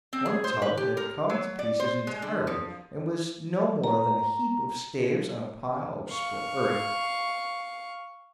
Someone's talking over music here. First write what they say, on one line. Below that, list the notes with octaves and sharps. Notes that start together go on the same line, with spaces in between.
One tub had come to pieces entirely and was no more than a heap of staves on a pile of spilt earth.
C4
G#4
C5
B4
G4
A#4
F#3
D5
C5
G#3
D3
F3
A#5
F5 C#6